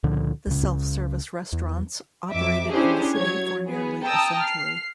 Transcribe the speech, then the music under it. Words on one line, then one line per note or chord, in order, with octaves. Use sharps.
The self-service restaurants operated in the city for nearly a century.
C#2 A#2 D3 F3
C#2 C#3
E2
F2 E5 D6
C#4 D4 E4 G4 G#4 C5
F#3 C#5 G#6
B3 G#4
G5 A5 A#5 D#6 E6
F6 C7